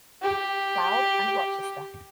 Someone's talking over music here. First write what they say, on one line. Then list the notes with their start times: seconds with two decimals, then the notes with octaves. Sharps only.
Cloud and Rochester.
0.22 G4